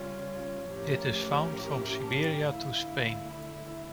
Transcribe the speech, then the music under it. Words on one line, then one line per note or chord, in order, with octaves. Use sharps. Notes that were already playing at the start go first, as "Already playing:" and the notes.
It is found from Siberia to Spain.
Already playing: C#3 G3 C#4 F4 C#5
A2 F3 C#4 G4 A#4
C#5
E5
A5
G5
D3 A3 E4 F5
E5